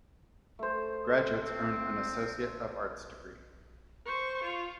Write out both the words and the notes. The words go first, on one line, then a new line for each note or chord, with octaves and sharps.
Graduates earn an Associate of Arts degree.
A3 C5
C4
C5 C#6
F4